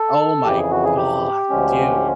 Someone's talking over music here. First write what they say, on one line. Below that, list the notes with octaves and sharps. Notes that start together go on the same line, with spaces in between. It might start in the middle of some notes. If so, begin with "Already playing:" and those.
oh, my god, dude.
Already playing: A4
F2 C#3 E3 G4
G#4
F#4
G#4
G4
D2 D3 F3 G#3 C#4